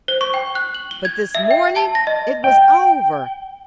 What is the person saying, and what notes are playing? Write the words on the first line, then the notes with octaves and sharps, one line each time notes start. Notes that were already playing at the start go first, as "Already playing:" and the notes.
But this morning it was over.
C5
C#6
G5
F#6
F#7
G7
G#6
E5
G5
A5
A#6
D#5
G5